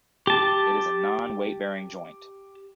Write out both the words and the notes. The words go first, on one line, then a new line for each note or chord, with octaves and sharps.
It is a non-weight bearing joint.
G4 A5